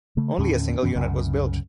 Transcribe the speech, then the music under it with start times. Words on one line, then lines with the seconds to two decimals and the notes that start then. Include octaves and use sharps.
Only a single unit was built.
0.17 C#3 A3
0.38 D#2 A2 D3 C#4
0.83 F#2 B2 E3 C#4
0.95 C2 F#2 C#3